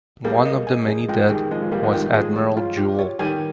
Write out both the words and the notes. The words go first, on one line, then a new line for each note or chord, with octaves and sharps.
One of the many dead was admiral Juel.
G3 A#3 G#4
D#5
G#5
G#4
F3 G#3 G5
D#3 G3 G#4
F3 G#3 D#5
F3 G#3
G3 A#3 F4
F3 G#3
D#3 G3 G5
F3 G#3 G#4
C#5
F4
G4
C#5
D#3 G3 G#5